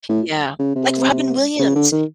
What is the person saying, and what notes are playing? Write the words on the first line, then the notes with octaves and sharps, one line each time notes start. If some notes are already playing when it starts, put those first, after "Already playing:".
Yeah, like Robin Williams,
A2
C#3
C3
C#3
D3
D#3